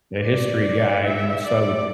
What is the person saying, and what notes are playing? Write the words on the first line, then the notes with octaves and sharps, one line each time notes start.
a history guy, you know, so I would
D5
E5
D5